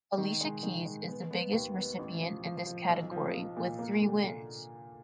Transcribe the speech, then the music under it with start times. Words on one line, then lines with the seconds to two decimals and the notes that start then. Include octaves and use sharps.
Alicia Keys is the biggest recipient in this category with three wins.
0.18 D#3
0.41 G#3
0.63 D#3
0.86 G#3
1.08 B3
1.31 B3
1.53 D#2
1.76 B3
1.99 A1
2.21 F3
2.44 F3
2.66 F3
2.89 B1
3.11 F3
3.34 F3
3.57 A#2
3.79 A#3
4.02 D3
4.24 D3